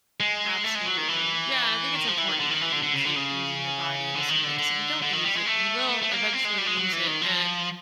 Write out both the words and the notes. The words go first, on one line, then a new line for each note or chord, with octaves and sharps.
Absolutely. Yeah, and I think it's important that you keep using your body in a certain way ‘cause if you don't use it, you will eventually lose it and
G#3
A3
G#3
F#3
D#3
E3
D#3
F3
E3
D#3
D3
D#3
E3
D3
D3
C#3
D3
C#3
D3
D#3
D3
D3
D3
D#3
G3
G#3
A3
A3
A3
A#3
C4
G#3
G3
G#3
F#3
E3
D#3
F3